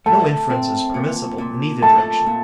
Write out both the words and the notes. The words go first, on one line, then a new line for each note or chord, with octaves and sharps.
No inference is permissible in either direction.
A3 A5
C4
A#2
A#2
A3 A5
A#2